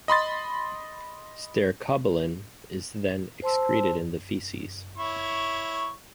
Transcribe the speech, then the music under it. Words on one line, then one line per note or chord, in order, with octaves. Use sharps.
Stercobilin is then excreted in the feces.
D#5 B5 C6 A6
C5 A5 C6 E6
E4 C#5 C#6